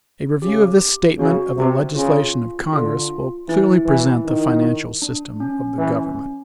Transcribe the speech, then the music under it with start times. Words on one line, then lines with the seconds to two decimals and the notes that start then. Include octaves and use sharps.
A review of this statement of the legislation of Congress will clearly present the financial system of the Government.
0.42 C#3 G4
1.18 C#3 F#4
1.57 C3
1.95 C#3 F4
2.72 D3 F4
3.48 E3 E4
3.86 E3
4.25 D#3
5.02 D4
5.40 C#4
5.78 E3 C#4